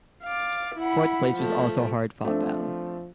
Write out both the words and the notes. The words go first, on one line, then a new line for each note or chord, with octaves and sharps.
Fourth place was also a hard fought battle.
F5 D6 A6
E4 F#5 B5
F3 A3
F3 A3 C4 D4